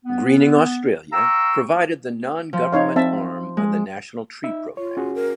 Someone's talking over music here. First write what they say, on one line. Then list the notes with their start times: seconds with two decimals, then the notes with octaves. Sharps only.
Greening Australia provided the non-government arm of the National Tree Program.
0.05 B3
1.13 F5 G5 A#5 C#6 E6
2.53 F3
2.73 D#4 C#5 F5
2.96 C4 E5 A5
3.57 G#3
4.44 D#4 E5
4.77 F4 C#5
4.97 C#4 F#4 G#4
5.15 A#4